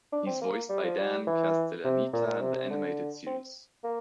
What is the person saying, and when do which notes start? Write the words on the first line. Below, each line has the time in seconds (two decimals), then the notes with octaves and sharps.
He is voiced by Dan Castellaneta in the animated series.
0.13 D4
0.27 C4
0.42 A#3
0.69 G3
0.84 F3
0.98 G3
1.27 E3
1.84 C3
2.13 A#2
2.27 A#2
2.41 C3
2.55 C3
2.70 D3
3.26 C4
3.84 A#3